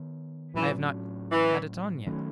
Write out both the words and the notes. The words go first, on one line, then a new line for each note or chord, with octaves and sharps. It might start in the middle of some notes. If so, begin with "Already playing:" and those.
I have not had it on yet.
Already playing: D#3 B3
A2 E3 F#3 C#4
E3
D#3 F#3 A3 C#4